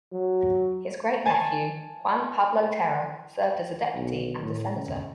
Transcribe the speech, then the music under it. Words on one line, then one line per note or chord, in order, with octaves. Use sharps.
His great-nephew Juan Pablo Terra served as a Deputy and a Senator.
F#3
G#5 A5
B1
A2
C#3